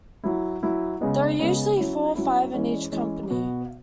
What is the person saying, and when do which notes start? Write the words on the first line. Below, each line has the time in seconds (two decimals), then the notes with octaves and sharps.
There are usually four or five in each company.
0.24 F#3 E4
0.63 F#3 E4
1.00 C#3 G#3 B3
1.39 C#3 G#3 B3
1.77 F#3 C#4 E4
2.15 F#3 C#4 E4
2.53 E3 G#3 C#4
2.92 E3 G#3 C#4
3.30 B2 B3 F#4